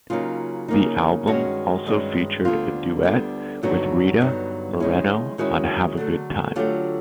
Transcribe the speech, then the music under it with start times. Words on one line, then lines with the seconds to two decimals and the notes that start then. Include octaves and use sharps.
The album also featured a duet with Rita Moreno on Have A Good Time.
0.10 C#3 F#3 A#3 D#4 F4
0.68 C#3 F#3 A#3 D#4
1.27 G2 D#3 G#3 C#4 F#4
1.86 G2 D#3 G#3 C#4
2.45 D2 D3 G3 B3 F4
3.03 D2 D3 G3 B3
3.63 G2 D3 F#3 B3 D#4 F#4
4.21 G2 D3 F#3 B3 D#4
4.80 D#3 G#3 C#4 E4
5.38 D#3 G#3 C#4 E4 F#4 G#4
5.97 D3 F#3 A3
6.56 D3 F#3 A3 F4 G4